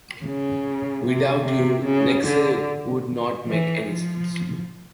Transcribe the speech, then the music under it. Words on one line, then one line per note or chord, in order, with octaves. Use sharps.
Without you Nexe would not make any sense.
C#3
C3
C3
C#3
D3
E3
F3